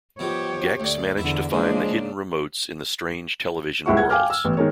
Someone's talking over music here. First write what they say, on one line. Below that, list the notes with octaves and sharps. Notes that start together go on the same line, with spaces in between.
Gex managed to find the hidden remotes in the strange, television worlds.
B2 F3 G4 C#5
D2 D5
E2 D3 E4 E5
C#3 F3 G#3 A#3 D4
D#1 C#2 E4 F#5 C#6
F#5 G#6
F5 G5 G#5 D6 F6
E6
A1 B3
D#3 G#3 A#4 C#5